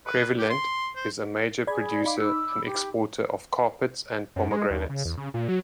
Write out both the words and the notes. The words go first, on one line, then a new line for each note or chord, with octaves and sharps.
Crevillent is a major producer and exporter of carpets and pomegranates.
B4
G4
C6
C5
G#4 D5 B5 G#6
D#4 F5 B5 D6
E6
G4
F#2
G#3
D#2
C#3
E2
C#3
A#2
F#3